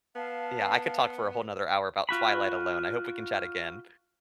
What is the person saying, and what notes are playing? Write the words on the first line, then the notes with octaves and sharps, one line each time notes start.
Yeah, I could talk for a whole 'nother hour about Twilight alone, I hope we can chat again.
B3 F5 A5
F4 F#4 B5